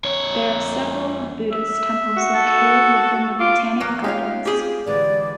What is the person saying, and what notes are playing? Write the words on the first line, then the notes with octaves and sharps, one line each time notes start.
There are several Buddhist temples located within the botanic gardens.
F2 C#5
E5
F#4
A4
F4 D6
E2 F#3 A#3
C#4 D#4 F4 G4 F5
C4 F4 G4 G#4
D3 E3 G#3 D5